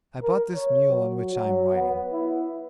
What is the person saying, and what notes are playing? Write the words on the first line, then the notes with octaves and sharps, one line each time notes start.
'I bought this mule on which I am riding.'
A#4
C#5
F#3
F#3
B3
E4